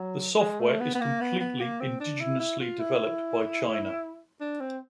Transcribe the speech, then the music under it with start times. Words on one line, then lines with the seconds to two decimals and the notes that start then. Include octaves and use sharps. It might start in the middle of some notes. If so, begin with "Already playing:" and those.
The software is completely indigenously developed by China.
Already playing: F#3
0.40 G#3
0.60 A3
0.80 B3
0.95 B3
1.00 A#3
1.21 B3
1.40 B3
1.60 A#3
1.80 C4
2.00 D4
2.21 E4
2.40 E4
2.60 F4
2.79 E4
4.40 D4
4.60 C4